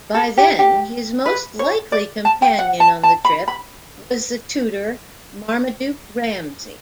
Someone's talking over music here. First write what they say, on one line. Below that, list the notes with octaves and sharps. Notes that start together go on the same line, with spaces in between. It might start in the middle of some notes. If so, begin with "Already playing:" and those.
By then his most likely companion on the trip was the tutor Marmaduke Ramsay.
A4
G4
G4
B4
C#5
D5
A5
G5
F#5
A5
A5
B5
B5